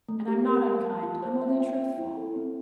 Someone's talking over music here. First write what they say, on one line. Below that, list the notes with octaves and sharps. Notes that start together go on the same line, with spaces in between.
'And I'm not unkind, I'm only truthful.
A3
G4
A#4
F5
A5
F4
C5
E5
G5
C4
E4
A4
C4